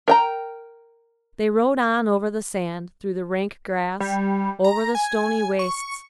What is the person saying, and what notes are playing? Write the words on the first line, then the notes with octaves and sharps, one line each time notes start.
They rode on over the sand, through the rank grass, over the stony wastes.
A#4 G5 A#5
G3
A#5
G#5
C#6